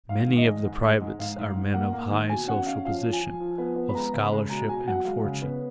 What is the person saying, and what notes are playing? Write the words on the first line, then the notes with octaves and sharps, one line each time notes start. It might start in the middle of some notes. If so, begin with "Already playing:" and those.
Many of the privates are men of high social position, of scholarship and fortune.
G#2 F5
D#3
D#5
G#3
G#2
G#3
G#2
G#2 F5
G#2
G#2
A#3 F#5
A#3
D#3
B2 G#5
C#4 F#5
C#4 F5
F3 F5
F3
G#5
F3
F3
B3
B3
B5
G#3 A#5
C#3
B5
G#3
B2 A#5
B2 G#5
F#3 F#5
G#3 F5
C#3
B3